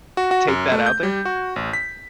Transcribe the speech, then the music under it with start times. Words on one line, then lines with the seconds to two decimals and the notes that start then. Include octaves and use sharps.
Take that out there?
0.17 F#4
0.31 F#4
0.48 F#2
0.72 A3
0.86 G6
1.03 G3
1.25 F#4
1.56 A1
1.73 B6